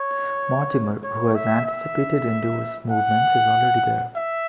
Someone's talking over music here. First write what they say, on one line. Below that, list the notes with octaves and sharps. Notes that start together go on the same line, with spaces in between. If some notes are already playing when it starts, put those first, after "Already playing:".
Mortimer, who has anticipated Indio's movements, is already there.
Already playing: C#5
C#5
E5
E5
F#5
E5